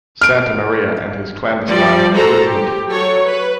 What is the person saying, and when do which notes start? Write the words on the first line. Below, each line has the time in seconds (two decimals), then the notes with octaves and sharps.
Santamaria and his clandestine "Movement".
0.21 F6 D7
1.68 F3 G3 D5
2.14 G#3 F#4 A4 C5 A#5
2.46 G4
2.90 F#3 A4 C#5
3.25 B4